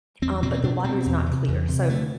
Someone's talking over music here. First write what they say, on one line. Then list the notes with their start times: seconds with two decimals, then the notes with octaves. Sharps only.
um, but the water is not clear, so
0.22 E2 C4
0.43 B2 C4
0.53 C4
0.63 B2 D4
0.84 B2 C4
1.06 E2
1.26 C3
1.48 E2
1.68 C3
1.89 D3 A3